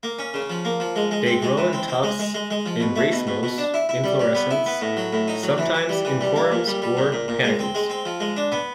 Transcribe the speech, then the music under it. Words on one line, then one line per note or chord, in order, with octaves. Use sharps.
They grow in tufts, in racemose inflorescences, sometimes in corymbs or panicles.
A#3
C#4
C#3
F3
A#3
F3
G#3
G#3
C4
G#3
E3
C4
C4
G#3
G#3
G#3
G#3
F3
B2
A3
B2
B2
B2
D4
E4
E4
G3
G3
B3
E4
B3
A2
F#3
A2
D#4
F#3
E3
E3
G3
E3
G3
A#3
A#2
G3
G3
A#2
A#2
A#2
G#3
C4
G#3
C4
F3
G#3
D4
B3